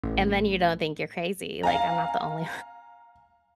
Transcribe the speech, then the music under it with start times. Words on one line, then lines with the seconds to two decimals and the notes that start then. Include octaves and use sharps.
And then you don't think you're crazy, like, I'm not the only, o
0.03 A1
1.63 F5 G#5 A#5